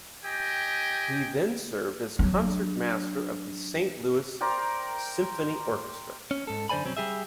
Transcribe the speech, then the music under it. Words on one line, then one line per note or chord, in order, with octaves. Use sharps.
He then served as concertmaster of the Saint Louis Symphony Orchestra.
G4 D#5 G5 G#5
F#3 D4
A#4 C5 D5 G5
C#4
G#2 A4
F#2 D3 C5 D5 G#5 B5
C2 F#3 C4 C#4
G3 G4 G#4 E5